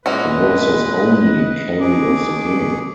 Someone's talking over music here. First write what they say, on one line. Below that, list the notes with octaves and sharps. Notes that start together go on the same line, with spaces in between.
It was his only carry of the game.
A#2 E3 G#3 C#4 F#4 B4 D#5
B2 G#4 D6